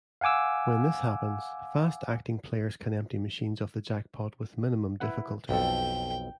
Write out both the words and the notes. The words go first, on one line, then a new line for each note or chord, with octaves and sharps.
When this happens, fast-acting players can empty machines of the jackpot with minimum difficulty.
F5 F#5 G#5 D6 E6
E4 B4 F#5
B1 F2 A4 G5